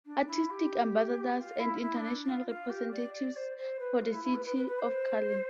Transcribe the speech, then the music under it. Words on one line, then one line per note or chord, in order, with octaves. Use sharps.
Artistic Ambassadors and international representatives for the city of Cali.
D4
E4
G4
F4
E4
E4
D4
F4
F4
G4
D5
D5
C5
C5
B4
F4
E4
E4
B4
B4
B4
B4
C5